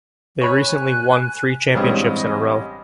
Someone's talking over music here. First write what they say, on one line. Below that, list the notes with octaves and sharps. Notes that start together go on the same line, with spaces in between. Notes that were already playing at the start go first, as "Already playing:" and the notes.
They recently won three championships in a row.
C#5 G#5 B5 F#6
A1 G2 G3 G#3 C4 D#5